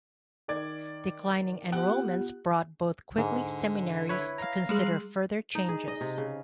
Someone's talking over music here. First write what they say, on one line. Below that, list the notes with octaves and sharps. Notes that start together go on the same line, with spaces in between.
Declining enrollments brought both Quigley seminaries to consider further changes.
D#3 D5 G#6
B3 F4 G4 F#5 F#6
G#2 D3
E4 B4 C#5
F5 A#5
G3 G#3 G#4
D#4
G#4
D#5
C3
C#3